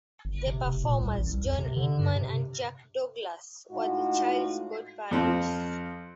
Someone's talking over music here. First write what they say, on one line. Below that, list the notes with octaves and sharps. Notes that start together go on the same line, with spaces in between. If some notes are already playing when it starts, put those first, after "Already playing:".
The performers John Inman and Jack Douglas were the child's godparents.
G1
C3
F1
A#2
C2
A1
C2
F2
C3
D3
G2
C3
A2 G#3 D#4 F4 F#4
F2 C4 F4